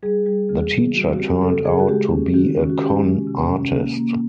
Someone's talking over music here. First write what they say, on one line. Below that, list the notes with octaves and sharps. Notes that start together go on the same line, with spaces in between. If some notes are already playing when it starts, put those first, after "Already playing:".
The Teacher turned out to be a con artist.
G3 G#4
G3 G#4
C#3 G#4
E3
G3 F#4
F#4
C4 G4
C#3 A4
C#3 G#4
F#4
G#3 G4
C#4
D#3 F#4
C#4
F#4
C#4 G4
G#3
C3
C#4
A#3
A#3